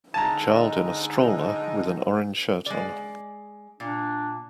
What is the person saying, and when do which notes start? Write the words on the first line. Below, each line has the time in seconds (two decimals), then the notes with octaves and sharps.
Child in a stroller with an orange shirt on.
0.14 D3 G#3 D#4 A5 A#5
2.66 G#3 D5
3.80 A#2 D4